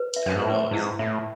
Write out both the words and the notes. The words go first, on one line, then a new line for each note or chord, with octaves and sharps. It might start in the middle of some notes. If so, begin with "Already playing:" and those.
I don't know, is d
Already playing: B4
E5
F#2
G#2
A2 E5
G#2 E4
A2 E5